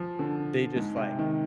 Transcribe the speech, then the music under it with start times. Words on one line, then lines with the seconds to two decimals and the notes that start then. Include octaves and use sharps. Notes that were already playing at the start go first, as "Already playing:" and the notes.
they just, like
Already playing: F3
0.19 D3
0.76 G#2
0.96 C3
1.19 D#3